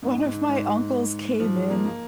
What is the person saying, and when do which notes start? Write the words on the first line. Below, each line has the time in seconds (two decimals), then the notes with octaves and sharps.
one of my uncles came in
0.03 G#2
0.26 G#2
0.49 G#2
1.40 F3
1.55 G#3
1.70 A#3
1.85 A#3